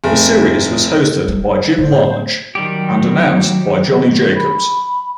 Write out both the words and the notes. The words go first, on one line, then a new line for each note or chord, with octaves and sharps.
The series was hosted by Jim Lange and announced by Johnny Jacobs.
F1
G3 G#3
A2 C5
D#3 F#3 G3 G4
B5